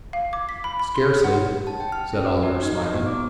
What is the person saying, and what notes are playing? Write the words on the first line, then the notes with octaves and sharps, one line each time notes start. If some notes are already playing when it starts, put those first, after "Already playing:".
"Scarcely," said Oliver, smiling.
F5
D6
B6
B5
B5
C6
C#5
F#5
A5
G5
F6
C#4
B4
F#4
D#4
A#5
B3
D6